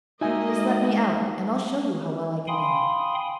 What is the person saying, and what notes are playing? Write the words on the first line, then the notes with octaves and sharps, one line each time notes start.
"Just let me out and I'll show you how well I can dance."
G#3 A#3 D#4 F#4 D#5 E5 G#5
F5 G5 G#5 B5 C6 D#6